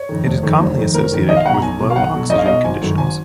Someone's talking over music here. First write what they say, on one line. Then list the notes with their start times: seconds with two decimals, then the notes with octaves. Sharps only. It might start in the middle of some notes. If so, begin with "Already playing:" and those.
It is commonly associated with low-oxygen conditions.
Already playing: C#5
0.09 F2 D#3
0.26 F1
0.43 F2 D#3
0.60 F1
0.78 F2 D#3
0.94 F1 A#4
1.12 F2 D#3
1.28 B1 D#5
1.37 F5
1.46 B2 F#5
1.49 F#3
1.54 A#5
1.62 B1 G#5
1.80 B2 F#3
1.90 F5
1.96 B1 F#5
2.14 B2 F#3
2.30 B1 D#5
2.38 F5
2.46 B2 F#3 D#5
2.64 G#1 G#5
2.82 F#2 D#3 F#3
2.98 G#1 G#5